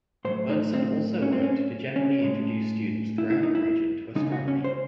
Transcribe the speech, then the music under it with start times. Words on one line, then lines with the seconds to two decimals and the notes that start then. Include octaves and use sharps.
Bernson also worked to generally introduce students throughout the region to astronomy.
0.25 A2 F#3 A3 C5
0.50 D#4
0.74 C4
1.22 C#4
1.32 C4
1.43 C#4
1.96 C#4
2.21 A2 G#3
3.18 E4
3.30 E4
3.43 D#4
3.55 E4
4.15 C#3 G#3 D#4
4.32 F#4
4.48 C#4
4.64 C5